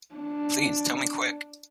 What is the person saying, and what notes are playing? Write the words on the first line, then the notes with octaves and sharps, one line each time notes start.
Please tell me quick!
D4